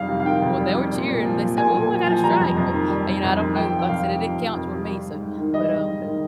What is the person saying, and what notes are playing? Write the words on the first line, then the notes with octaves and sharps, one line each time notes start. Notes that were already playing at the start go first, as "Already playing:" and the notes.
Well, they were cheering, they said, "Whoo, I got a strike," but, uh, you know, I don't know like I said, it didn't count toward me, so but, um b
Already playing: F2 D#3 G3 F5
C3
F5
D#3 G5
F2
G3
C3
A#2
A#2
F3
F3
A#2 G#5
A#2
F3
F3
G3 A#5
F2
F2
D#3
G3
F2
F2
D#3
F3 G5
F2
G5
F2 F5
C3
F3
F2
F2
C3
G3
G#2
G#2
D#3
G3 D#5
G#2
G#2
D#3